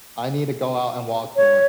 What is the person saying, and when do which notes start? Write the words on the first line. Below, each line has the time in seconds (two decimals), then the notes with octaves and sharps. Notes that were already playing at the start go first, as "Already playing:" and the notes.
I need to go out and walk more.
1.36 C#5